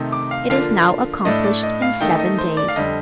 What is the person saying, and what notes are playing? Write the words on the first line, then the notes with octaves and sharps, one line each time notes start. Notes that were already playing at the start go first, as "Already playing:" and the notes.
It is now accomplished in seven days.
Already playing: C3 D#3 A3 C4 D#4
D6
F5
D3 F3 A#3 D4 F4 F5
A2 A3 D4 D#5
D5
D#5
F5
D#3 A3 D#4 G5
D#5
C5
D5
F5
F2 D3 G3 D#5